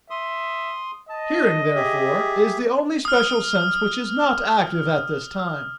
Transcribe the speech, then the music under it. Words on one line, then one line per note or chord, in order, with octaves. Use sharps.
Hearing, therefore, is the only special sense which is not active at this time.
E5 C6 D#6
D#5 A5
G4 G#4 E5
D#6 F6